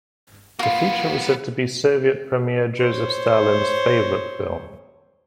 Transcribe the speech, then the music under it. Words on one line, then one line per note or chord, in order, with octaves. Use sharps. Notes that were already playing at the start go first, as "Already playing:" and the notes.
The feature was said to be Soviet Premier Joseph Stalin's favourite film.
A#3 B3 F4 F#4
C5 C#5